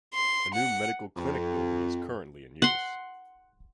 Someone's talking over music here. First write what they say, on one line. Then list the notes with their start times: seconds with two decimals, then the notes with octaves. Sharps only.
A new medical clinic building is currently in use.
0.14 C6
0.54 F#5
1.17 F2
2.62 F#5 C6